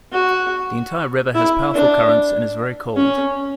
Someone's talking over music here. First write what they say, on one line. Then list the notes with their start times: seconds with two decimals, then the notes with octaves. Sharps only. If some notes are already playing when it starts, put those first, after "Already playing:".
The entire river has powerful currents and is very cold.
0.12 F#4
1.34 E4
1.74 D4
2.96 C#4